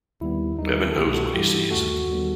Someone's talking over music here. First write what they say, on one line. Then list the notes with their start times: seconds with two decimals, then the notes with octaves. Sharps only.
Heaven knows what he sees.
0.21 D#2 D#3 G3 B3 E4
0.58 D#2 D#3 G3 D#4
0.78 E4
0.92 A4
0.96 C2 B2 A3 E4 G4
1.14 F#4 A4
1.27 F#4
1.33 G2 E3 G3 E4 G4
1.70 D#2 D#3 A3 F#4 A4
2.08 D#2 D#3 G3 B3